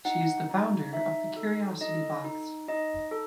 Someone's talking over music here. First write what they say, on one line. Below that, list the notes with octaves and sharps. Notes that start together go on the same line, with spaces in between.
She is the founder of The Curiosity Box.
D#4 F#5
D#4
D#4 E5
A4
D#4 D#5
D#4
D#4 D#5
A4